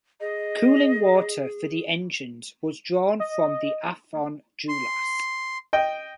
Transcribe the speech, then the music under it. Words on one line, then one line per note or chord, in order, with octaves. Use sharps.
Cooling water for the engines was drawn from the Afon Dulas.
G#4 D#5
D#5
C6
D#5 G5